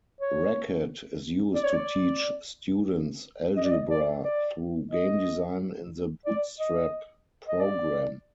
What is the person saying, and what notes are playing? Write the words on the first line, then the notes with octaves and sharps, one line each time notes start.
Racket is used to teach students algebra through game design in the Bootstrap program.
C#5
D5
C#5
D5
D#5
D5
D#5
D5
D5
D#5
D5
D#5
D#5
D5